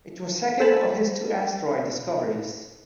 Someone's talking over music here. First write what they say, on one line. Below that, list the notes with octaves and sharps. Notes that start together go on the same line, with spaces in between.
It was second of his two asteroid discoveries.
A4 C5 G#5 A5 B5